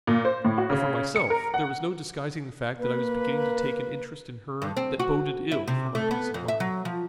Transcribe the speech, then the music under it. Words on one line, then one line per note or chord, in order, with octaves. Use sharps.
But for myself, there was no disguising the fact that I was beginning to take an interest in her that boded ill for my peace of mind.
A#2
C5
A2
F#4
C#3
C#7
A#4
F#5
A#3 B4
G2
C4
F#4
E4
C3
A3
B3
F2
E5
F#3
F3